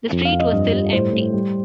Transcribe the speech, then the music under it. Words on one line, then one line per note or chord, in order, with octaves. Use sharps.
The street was still empty.
F2
F5
F2
D#5
G2
G3
A2 C5
A2
G3